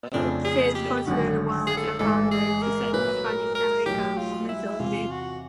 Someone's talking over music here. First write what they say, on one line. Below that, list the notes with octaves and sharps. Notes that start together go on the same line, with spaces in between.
He is considered one of the founders of Spanish-American Modernism.
F2 C#3 F3 A3 C4 D4
G#4
G4
G#1 F#2 D3 F#4
G#4
A4
A1 G#2 E3 G#3 A4
G#4
A#4
A#2 F#3 A#3 B4
A#4
A#4
B1 A2 F#3 G4
F4
E4
E2 C3 E3 F4
F#4